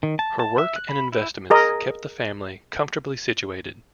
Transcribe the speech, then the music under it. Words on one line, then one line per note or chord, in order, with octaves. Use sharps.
Her work and investments kept the family comfortably situated.
D#3
A5
A5
E5
F#6
B5
E4
G#4 A#4 D#5